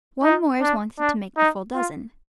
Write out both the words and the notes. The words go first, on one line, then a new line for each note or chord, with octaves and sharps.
One more is wanted to make the full dozen.
D#4
D4
D4
D#4
F4